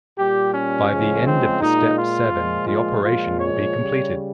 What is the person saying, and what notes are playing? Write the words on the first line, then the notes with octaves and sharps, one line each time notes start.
By the end of the step seven, the operation will be completed.
A#2 G3 G4
C#4
C#3 F3 G#3
C4
A#2 G#3 D#4
F4
A#2 F3 G#3
F4
A#2 F3 G#3 F4
C#5
C#3 G3